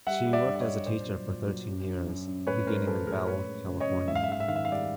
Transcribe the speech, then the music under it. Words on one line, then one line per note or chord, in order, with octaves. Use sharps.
She worked as a teacher for thirteen years, beginning in Bell, California.
G3 E5 F#5
G3
D5 E5
G2
D5
C#5 D#5
G2
A#2 C5 D5
F#3
A#2
F#3
F#2
F#2
F#2
F#2
A2 B4 C#5
A2 A#4 C5
F3 A4 B4
A2 G#4 A#4
F#2 B4 C#5
G#3
C#3
C#5 D#5
F#2
G#2 E5
F5
E5
G#2 F5
E5
D#3 F5
E5
F5
G3 D5 E5